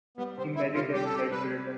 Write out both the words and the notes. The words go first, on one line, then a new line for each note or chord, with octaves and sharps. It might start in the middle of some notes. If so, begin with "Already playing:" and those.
He married and had children.
G3 B3
C3 C4
C3 E4
C3 F4
G3 G4
A4
C3 G4
G3 B4
G3